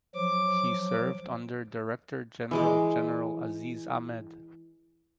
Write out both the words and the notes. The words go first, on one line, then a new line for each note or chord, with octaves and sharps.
He served under Director General General Aziz Ahmed.
F3 F#3 D6
E3 G#3 D6